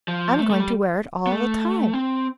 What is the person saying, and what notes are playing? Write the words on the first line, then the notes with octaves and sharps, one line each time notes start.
"I'm going to wear it all the time."
F3
A3
A3
G3
B3
A3
C4